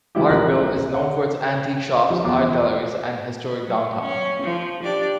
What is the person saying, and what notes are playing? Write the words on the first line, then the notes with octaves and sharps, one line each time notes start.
Parkville is known for its antique shops, art galleries, and historic downtown.
E3 G3 G#3 E4 F4 G4
A#1 A#2 C4 G#4 A#4 F#6
C#5 F#5
F3 G4
E2 F4 D6
F#3
C#4
F3
D4 G4 D5